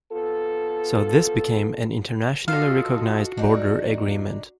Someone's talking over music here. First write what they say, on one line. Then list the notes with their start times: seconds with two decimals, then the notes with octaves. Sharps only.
So this became an internationally recognised border agreement.
0.12 B3 F4 A4
2.48 F4 F#4 A4 D#5 F5
3.37 E2 D4 D#4